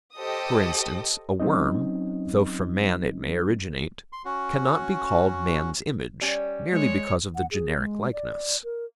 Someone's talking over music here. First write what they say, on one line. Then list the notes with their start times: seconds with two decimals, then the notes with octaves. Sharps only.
For instance, a worm, though from man it may originate, cannot be called man's image, merely because of the generic likeness.
0.16 G4 A4 C5 D#5 D#6
1.40 F#3 C4 C#4 D#4 D#5
4.13 C6
4.25 C#4 F#4
6.21 G3 C#4
6.72 G#3 C#5
7.35 F#5
7.52 G#4
7.78 G#3
8.13 D5
8.64 A#4